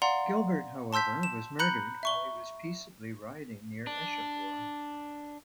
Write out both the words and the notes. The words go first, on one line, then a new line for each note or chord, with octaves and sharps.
Gilbert however was murdered while he was peaceably riding near Eschafour.
D5 F5 F#5 A#5 C6
A5 C6 E6 G6 B6
E7
A#5 B5 F#6 G6 C#7 F#7
E5 C#6 G7
D4